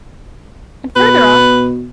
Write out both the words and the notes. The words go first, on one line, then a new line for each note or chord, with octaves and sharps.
"And further aft?"
B2 B4